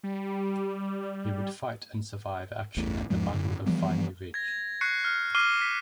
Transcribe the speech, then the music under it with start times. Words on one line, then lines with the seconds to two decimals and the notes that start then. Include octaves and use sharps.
He would fight and survive action at the Battle of Vimy Ridge.
0.03 G3
2.77 A1 E2 A2
3.10 E2 G#2 F3 G#3
3.30 F#2 D3
3.66 E3 F3 G3 B3
4.34 G#6 A#6
4.81 C#6 F#6 C7 C#7
5.04 F6
5.35 C#6 D6 F6 C7 D#7 G7
5.61 B6